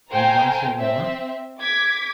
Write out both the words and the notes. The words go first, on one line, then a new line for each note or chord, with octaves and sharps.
Need one say more?
A4 C5 F5 G5 G#5 A#5
C4 E5
D6 G#6 B6